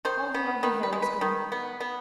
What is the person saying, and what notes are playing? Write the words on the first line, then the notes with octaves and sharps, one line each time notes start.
All her lovely hair was gone!
D#3 C5
B3
D#3 B4
B4
G#3
B4
D#3
B3
B3